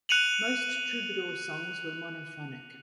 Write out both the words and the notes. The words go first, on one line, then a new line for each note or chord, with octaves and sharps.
Most Troubadour songs were monophonic.
F#6 C#7 D#7 F7 F#7